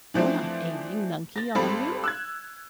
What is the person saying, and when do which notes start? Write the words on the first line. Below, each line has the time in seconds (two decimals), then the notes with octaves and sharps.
You're not ailing, Nunkie, are you?
0.14 E3 F3 A3 C4 D4
1.36 A6 A#6
1.55 G#1 G3 C4 A4 B5
2.04 E6 F#6 G#6